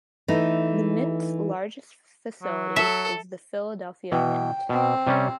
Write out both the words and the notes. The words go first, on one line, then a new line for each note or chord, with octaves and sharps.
The Mint's largest facility is the Philadelphia Mint.
E3 A3 D#4
F#3
A4 E5
B2 E3 G5
B2 C4
C3 G3 C#4